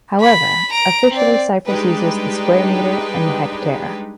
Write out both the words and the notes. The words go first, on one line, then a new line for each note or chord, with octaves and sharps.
However, officially Cyprus uses the square metre and the hectare.
B5
A#5 D7
C4 D5
G3 G#3 D4 D#4 G4 B4